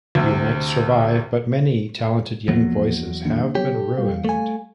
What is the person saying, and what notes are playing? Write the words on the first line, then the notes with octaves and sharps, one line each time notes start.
You might survive, but many talented young voices have been ruined.
D2 C3
E2 F3 F#3 A#3 B3
D#3 A#3 D4
F#3 B3 G4 C#5
A4
G3 F5
A3 G#5